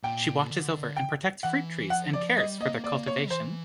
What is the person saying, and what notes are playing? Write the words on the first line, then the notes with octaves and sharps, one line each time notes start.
She watches over and protects fruit trees and cares for their cultivation.
A#2 G5
D3
G5
E3 F#5
F3 F#5
F3 D5
G3 D#5
A#3 D#5
A#3 D5
C#5
E3 C5